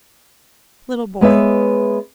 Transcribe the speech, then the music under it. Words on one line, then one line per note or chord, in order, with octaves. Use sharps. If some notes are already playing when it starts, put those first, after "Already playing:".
Little boy.
G#3 B3 C#5 E5